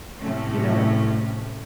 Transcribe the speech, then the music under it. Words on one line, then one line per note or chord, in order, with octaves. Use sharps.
you know,
A2 C3 A3 C#4